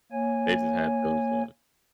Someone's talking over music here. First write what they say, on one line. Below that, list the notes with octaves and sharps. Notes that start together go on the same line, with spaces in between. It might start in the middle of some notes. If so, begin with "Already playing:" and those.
They just had those, uh
A#3 C#5 G#5